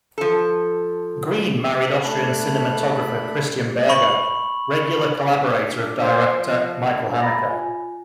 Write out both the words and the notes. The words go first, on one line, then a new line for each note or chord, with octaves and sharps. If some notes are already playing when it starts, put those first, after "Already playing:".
Green married Austrian cinematographer Christian Berger, regular collaborator of director Michael Haneke.
F3 A4
A3 D4 B5 F#6
B5 C#6 F#7
A2
D4
C5
F3
D3
G5 A#5 B5 A6 A#6
F4 G#5